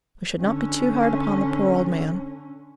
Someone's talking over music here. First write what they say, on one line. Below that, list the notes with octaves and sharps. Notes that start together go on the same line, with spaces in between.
We should not be too hard upon the poor old man.
D3 C#4